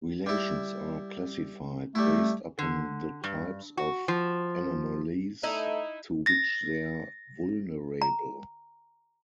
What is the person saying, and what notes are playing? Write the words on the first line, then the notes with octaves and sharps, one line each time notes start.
Relations are classified based upon the types of anomalies to which they're vulnerable.
G3 E4
G3 A3 E4
D3
G2
F#4
F3
A3 D#4 E4
A6 A#6
A#5